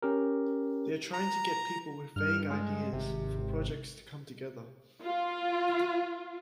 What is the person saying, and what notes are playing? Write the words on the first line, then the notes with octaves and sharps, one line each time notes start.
They're trying to get people with vague ideas for projects to come together.
C#4 G4 A#4
A#5
G2 F6
G#3
G#1 C3
F4